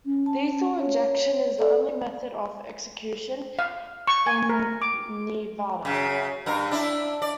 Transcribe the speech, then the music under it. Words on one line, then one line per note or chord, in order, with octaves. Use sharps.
Lethal injection is the only method of execution in Nevada.
C#4
A5
C#5
A4 D5
F5
C#6
G#5
A#4
D6
F#2 C#3
G2 A#4
D4 E4
D5